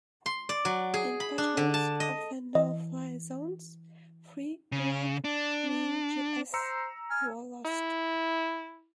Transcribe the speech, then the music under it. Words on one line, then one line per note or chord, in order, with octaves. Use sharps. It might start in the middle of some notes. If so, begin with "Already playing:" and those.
In patrols of the no-fly zones, three Iraqi MiGs were lost.
C6
D5
F#3
G#4
B5
D4
D3
A5
D#5
E3 D#5
C#3
D4
C5 A#5 E6 C#7
G#5 F6
E4